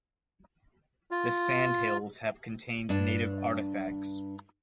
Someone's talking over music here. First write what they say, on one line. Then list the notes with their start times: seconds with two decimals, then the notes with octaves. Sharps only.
The sand hills have contained native artifacts.
1.11 F4
2.89 G2 D4